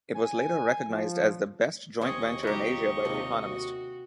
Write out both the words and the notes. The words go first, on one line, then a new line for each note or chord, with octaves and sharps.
It was later recognized as the best joint venture in Asia by The Economist.
G#5
F3
D#2 C4 C#4 G#4 D#5 C#6
C#3 F#3 E4 G4 A#4
C3 F3 D#4 G4
F#4